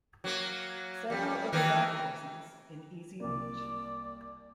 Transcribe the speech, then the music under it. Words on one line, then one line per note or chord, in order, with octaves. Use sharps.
Several other golf courses in easy reach.
F#3 A#3
F2 G3
D#3 E3 A#4
C2 A#3 D5